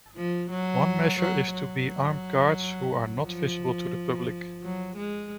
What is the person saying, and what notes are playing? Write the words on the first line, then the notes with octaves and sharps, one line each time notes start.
One measure is to be armed guards who are not visible to the public.
F3
F#3
F#3
F#3
F3
F#3
G#3